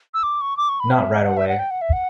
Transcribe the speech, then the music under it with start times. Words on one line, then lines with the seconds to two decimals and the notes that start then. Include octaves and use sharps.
Not right away.
0.14 E6
0.23 D6
0.41 C#6
0.57 D6
0.69 C#6
0.80 B5
0.92 E5
1.25 F#5
1.37 E5
1.48 F#5
1.59 G5
1.70 F#5
1.81 E5
1.93 F#5